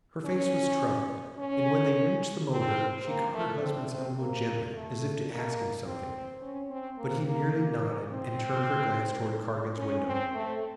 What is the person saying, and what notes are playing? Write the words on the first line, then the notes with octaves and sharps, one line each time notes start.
Her face was troubled, and when they reached the motor, she caught her husband's elbow gently as if to ask him something, but he merely nodded and turned her glance toward Cargan's window.
C#4
C#4
C4
A#3
A3
C4
C4
A#3
A3
A#3
C4
C#4
C4
A#3
A#3
A#3
C4
C#4
C4
A3